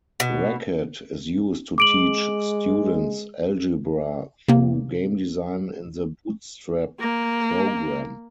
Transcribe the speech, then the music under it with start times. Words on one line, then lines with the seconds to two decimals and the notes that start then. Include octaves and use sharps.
Racket is used to teach students algebra through game design in the Bootstrap program.
0.20 B2
1.78 G#3 D6 D7 F#7
4.48 C3 A#3
7.00 A#3